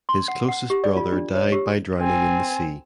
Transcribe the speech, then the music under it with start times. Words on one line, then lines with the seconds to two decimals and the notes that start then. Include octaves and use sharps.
His closest brother died by drowning in the sea.
0.09 C6
0.28 F#5
0.48 F#5
0.70 G4
0.84 D5
0.96 F4
1.12 D4
1.35 C#5
1.52 G4
1.99 C4 G#5